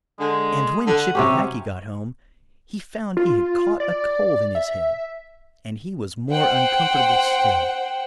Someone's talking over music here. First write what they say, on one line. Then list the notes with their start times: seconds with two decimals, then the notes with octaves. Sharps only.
And when Chippy Hackee got home, he found he had caught a cold in his head; and he was more uncomfortable still.
0.20 D3 G#3
0.87 D3 F#5
1.15 C3 F#3 C4 C#4 G4
3.17 F4
3.80 D5
4.55 E5
6.31 C5 F#5 G5